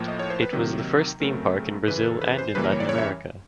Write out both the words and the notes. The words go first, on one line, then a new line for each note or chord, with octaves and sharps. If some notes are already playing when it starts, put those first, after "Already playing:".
It was the first theme park in Brazil and in Latin America.
Already playing: A2 F3 A#3
D#5
C#5
C5
B4
C3 D#3 F#3 A#3
C#3 F#3 A3 C4 A#4
F#2 C#3 E3 B4
A4
B4
C5
F#2 C#3 E3 G3 A#3 B4
A#4
C#5
D5
C#5
E5